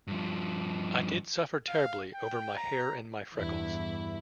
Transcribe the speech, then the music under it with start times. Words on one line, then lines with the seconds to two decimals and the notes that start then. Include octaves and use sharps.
I did suffer terribly over my hair and my freckles.
0.07 G2 F3
1.68 F5
2.14 G5
2.57 A#5
3.36 E2 G2 E4